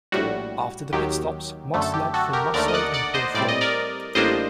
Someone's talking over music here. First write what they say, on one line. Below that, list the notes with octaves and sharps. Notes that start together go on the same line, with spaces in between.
After the pitstops Moss led from Musso and Hawthorn.
A#1 A2 G3 F#4
D#2 D#3 F#3 G4
F#2 D3 A3
A4
G4
F#4 A4
G4 A#4
D#2 D3 A3 A#4 D5
D#5
D5 F#5
D5 F#5
C5 D#5
A2 G3 C4 D5
D#5
A#4 D5
A1 A2 G3 A#3 D4 C5 D#5